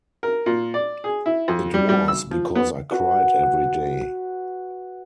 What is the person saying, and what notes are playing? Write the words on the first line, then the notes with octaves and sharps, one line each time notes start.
It was because I cried every day.
A#4
A#2
D5
G#4
E4
F2
G3
G3
E6
F3
B3
F#4 B4